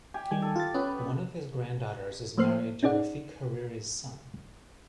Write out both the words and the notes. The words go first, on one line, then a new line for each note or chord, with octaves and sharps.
One of his granddaughters is married to Rafik Hariri's son.
G4 G#5
D#3 G3 G#5
A4
F4 A6
B3 C#4 B4
F3 A3 A#3 C5 F6 C7
C#4 D#4 G#4 D5 F#5